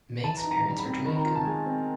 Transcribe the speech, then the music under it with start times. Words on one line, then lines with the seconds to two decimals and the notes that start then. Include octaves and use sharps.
May's parents are Jamaican.
0.24 E3 A5
0.37 A#5
0.44 D#4
0.51 A#5
0.64 G3 A#5
0.78 B5
0.85 C4
0.92 B5
1.05 D#3 B5
1.15 A#5
1.26 F4 A#5
1.35 A5
1.45 G#3 G#5
1.66 C4